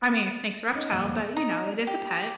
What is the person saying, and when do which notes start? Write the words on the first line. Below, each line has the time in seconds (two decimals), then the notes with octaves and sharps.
I mean, a snake's a reptile, but, you know, it is a pet,
0.73 C#4 D#4
0.91 F2 A#2 G#3 F#5 D#7
1.04 D#2
1.37 D#4
1.87 G4